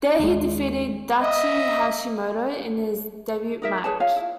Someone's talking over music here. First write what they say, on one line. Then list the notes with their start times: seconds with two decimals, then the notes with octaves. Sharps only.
There he defeated Daichi Hashimoto in his debut match.
0.20 D#2 G#3
1.22 D#5 E5
3.62 D#4 A#4 E5
3.84 G#4 B4 C#5 A5
4.00 F4 C#5 F5
4.16 E4